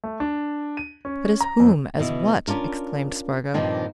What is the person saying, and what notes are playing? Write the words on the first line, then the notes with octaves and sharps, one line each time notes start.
"But as whom--as what?" exclaimed Spargo.
A3
D4
D#7
C#4
A#5
F2
B2 E3 E4
C#4 D4 F4 A#4
G2 A#2 D#3 F3 A#3 C4